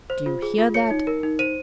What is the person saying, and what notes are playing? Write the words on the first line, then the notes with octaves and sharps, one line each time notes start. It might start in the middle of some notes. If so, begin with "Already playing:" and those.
Do you hear that?
C5
F4
G#4
F4
C#5 C#7
D#4
A#4
D#4
C5 D#7